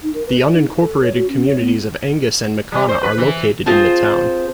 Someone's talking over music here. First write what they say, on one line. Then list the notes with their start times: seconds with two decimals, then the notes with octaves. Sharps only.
The unincorporated communities of Angus and Mikana are located in the town.
0.03 D#4
0.14 A#4
0.26 B4
0.41 D5
0.53 D#4
0.67 E4
0.80 A4
1.03 C#5
1.15 F#4
1.28 C#4
1.46 C#5
1.59 B3
2.72 G3
2.88 C5
3.03 B4
3.18 E3
3.66 C4 F4 G#4 C5 A5